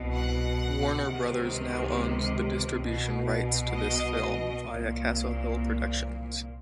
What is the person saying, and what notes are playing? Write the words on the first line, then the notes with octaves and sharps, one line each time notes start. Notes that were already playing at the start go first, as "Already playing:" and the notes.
Warner Brothers now owns the distribution rights to this film via Castle Hill Productions.
Already playing: C2 B2
F#5
C#2 C3 D#3
C2 B2
D#5
C2 A#2